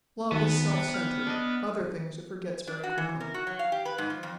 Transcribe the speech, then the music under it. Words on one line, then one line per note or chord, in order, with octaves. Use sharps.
Love is self-centred; other things it forgets very quickly.
D2 D#3 B3 A4 A5
C3 D4
F6
D4 D5 D#5
D4
F#4
E3
A#4
F#4
F#3
F5
G4
B4
G#2
F3
F2